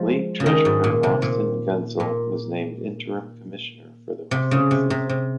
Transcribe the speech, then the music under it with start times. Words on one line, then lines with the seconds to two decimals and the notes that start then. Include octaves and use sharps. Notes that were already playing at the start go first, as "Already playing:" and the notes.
League Treasurer Austin Gunsel was named interim commissioner for the rest of the season.
Already playing: F3 G#3
0.40 C#3
0.46 D#3
0.65 G#2
0.84 A#2
1.03 C3
1.22 A#2
2.00 A#2
4.31 C3
4.51 C#3
4.71 C3
4.90 C3
5.10 C3